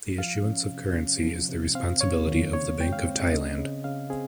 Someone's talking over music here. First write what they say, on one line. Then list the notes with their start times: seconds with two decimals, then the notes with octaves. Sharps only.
The issuance of currency is the responsibility of the Bank of Thailand.
0.18 F3 F5
0.45 C#4
0.70 C3
0.97 C#4
1.23 F3
1.49 C3
1.75 C4 F5
2.01 D#2 C#5
2.27 D#2
2.53 C#3 C#5
2.79 G#3 G5
2.93 F5
3.05 C4
3.32 C#3 D#5
3.58 C#3
3.84 C#3 F5
4.10 C4 G#4